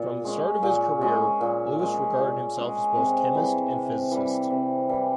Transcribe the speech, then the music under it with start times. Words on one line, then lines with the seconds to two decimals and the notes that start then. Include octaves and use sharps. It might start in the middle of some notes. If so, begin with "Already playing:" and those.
From the start of his career, Lewis regarded himself as both chemist and physicist.
Already playing: A#2
0.25 G#3 C#4
0.63 A#2
1.01 G#3 C#4
1.41 A#2
1.79 G#3 C#4
2.18 A#2
2.57 G#3 C#4
2.95 C3
3.34 E3 G3
3.73 C3
4.12 E3 G3
4.50 C3
4.89 E3 G3